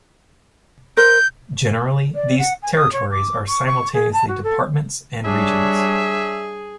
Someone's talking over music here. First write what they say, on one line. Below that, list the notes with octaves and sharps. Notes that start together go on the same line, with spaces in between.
Generally, these territories are simultaneously departments and regions.
A#4 C5 G6
D5
F#5
G#5
D#6
C#5
D6
C#6
C#6
G#4
A5
F#4
A4
G3 D4 G#4 C#5 E5